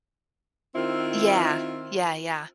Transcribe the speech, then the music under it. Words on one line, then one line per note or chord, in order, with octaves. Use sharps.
Yeah. Yeah, yeah.
D#3 C4 E4 F4